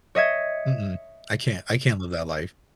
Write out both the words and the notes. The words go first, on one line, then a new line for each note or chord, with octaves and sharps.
Mm-mm, I can't I can't live that life.
C#5 D#5 E5 G#6